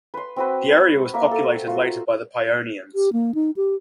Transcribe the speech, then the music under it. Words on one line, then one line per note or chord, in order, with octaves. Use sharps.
The area was populated later by the Paionians.
B4 C6
C4 F#4 B4
A#3 E5
A4 A#4
F4 F#4
G4
A#3
D#4
G4